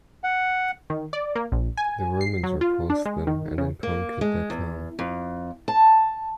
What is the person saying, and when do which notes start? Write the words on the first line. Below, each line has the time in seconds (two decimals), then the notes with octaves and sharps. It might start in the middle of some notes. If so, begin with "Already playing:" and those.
The Romans repulsed them and then conquered their town.
0.24 F#5
0.90 D#3
1.13 D5
1.35 A#3
1.52 A#1
1.77 G#5
2.21 C7
2.43 F#3
2.61 F4
2.90 D4
3.06 G#3
3.27 D#3
3.58 C#3
3.83 A#3
4.21 G#3
4.50 E2
4.99 F2
5.68 A5